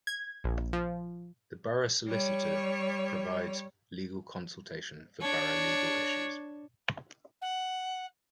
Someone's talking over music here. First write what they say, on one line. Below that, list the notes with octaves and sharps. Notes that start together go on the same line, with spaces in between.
The borough solicitor provides legal consultation for borough legal issues.
G#6
A#1
F3
G3 C#5
D4 C#5
F#5